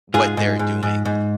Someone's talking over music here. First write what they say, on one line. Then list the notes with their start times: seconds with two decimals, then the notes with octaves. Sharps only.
what they're doing,
0.14 G#2 F4 G#4
0.37 G#2
0.59 G#2
0.83 G#2
1.05 G#2